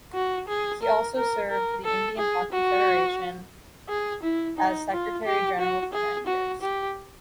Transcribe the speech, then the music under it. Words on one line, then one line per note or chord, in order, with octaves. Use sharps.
He also served the Indian Hockey Federation as secretary general for nine years.
F#4
G#4
A#4
A#4
A#4
A4
G#4
F#4
G#4
E4
D#4
F4
G4
F#4
G#4
F#4
G4